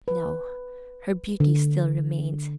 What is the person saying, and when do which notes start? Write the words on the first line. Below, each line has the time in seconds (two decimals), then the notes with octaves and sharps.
No! her beauty still remained.
0.08 B4
1.40 D3